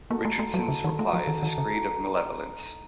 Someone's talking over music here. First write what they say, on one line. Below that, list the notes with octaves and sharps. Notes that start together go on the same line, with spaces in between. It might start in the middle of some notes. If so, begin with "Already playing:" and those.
Richardson's reply is a screed of malevolence.
A#3 D#4 F#4 A4 D#5
A3
A3
F#3 D#4 F#4 A4 D#5
C#3
D#3
A3 D#4 F#4 A4 D#5
F3
D#3
D#3 D#4 F#4 A4 D#5
C#3